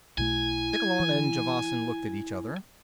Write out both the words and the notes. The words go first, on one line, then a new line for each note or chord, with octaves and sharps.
Nikkolon and Javasan looked at each other.
B1 B2 A3 E4 G#5
E3